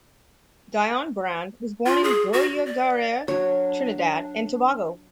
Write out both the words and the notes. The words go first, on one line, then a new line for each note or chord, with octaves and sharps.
Dionne Brand was born in Guayaguayare, Trinidad and Tobago.
F4
G#4
F#4
D5
F#3 D4 C#5